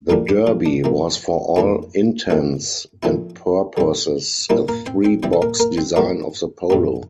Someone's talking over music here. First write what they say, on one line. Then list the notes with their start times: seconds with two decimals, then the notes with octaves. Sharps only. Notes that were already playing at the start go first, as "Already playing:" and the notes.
The Derby was for all intents and purposes a three-box design of the Polo.
0.10 A2 F3 G3 A#3 D4 F4
0.29 G3 G4
0.47 F3 F4
0.66 D4
0.84 C3 F3 A#3
1.56 F2 E3 A#3 D4 E4
2.30 A#2 A3 C4
3.03 A#2 F3 A3 C4 E4
3.77 D3 G3 C4
4.50 A#2 G3 A#3 D4 E4
4.68 A#3 A#4
4.86 C4 C5
5.04 C4 C5
5.23 C3 E3 G3 C4 C5
5.33 A4
5.42 A#3 A#4
5.60 A#3 A#4
5.78 C4 C5
5.96 A2 G3 A#3 D4 A#4
6.70 F2 C3 F3 A#3 D4